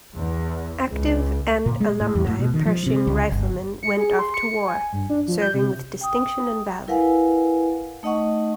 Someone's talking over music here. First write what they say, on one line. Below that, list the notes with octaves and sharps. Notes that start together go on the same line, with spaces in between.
Active and alumni Pershing Riflemen went off to war, serving with distinction and valor.
E2
C#2
A#2
G#3
A2
E2
A2
B2
D#3
F3
C3
C#2
G1
C#7
G#4
C6
C#7
G#5
G2
D4
F3
G6
C3
G5 D#6
E4 A#4 B4 F5 F#5 G#5
A3 D#4 D#5 F#5 C#6